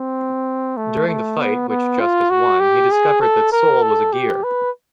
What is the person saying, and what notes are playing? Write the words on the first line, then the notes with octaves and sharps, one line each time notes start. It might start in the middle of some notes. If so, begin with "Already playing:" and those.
During the fight, which Justice won, he discovered that Sol was a Gear.
Already playing: C4
A3
A3
B3
B3
F4
F#4
G4
G#4
A4
A#4
A4
G4
B4